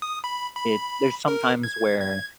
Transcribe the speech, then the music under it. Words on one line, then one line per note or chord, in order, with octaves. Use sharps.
it there's sometimes where,
D#6
B5
B5
A#4
G#6
G#6